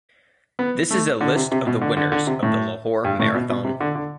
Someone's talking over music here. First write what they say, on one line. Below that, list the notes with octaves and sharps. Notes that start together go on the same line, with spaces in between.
This is a list of the winners of the Lahore Marathon.
B3
A3
D3
C3
C3
B2
D3
D3
D3
C3
A2
G2
A2
B2
B2
C3
D3
D3